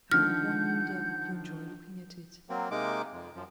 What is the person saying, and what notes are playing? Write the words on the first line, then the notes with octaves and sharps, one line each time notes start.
I don't wonder you enjoy looking at it.
D3 D#3 F3 F#5 F6 G6
F#3 A#3 C4
C3 G#3 A#3 D#4 D6
F2
F#2 F3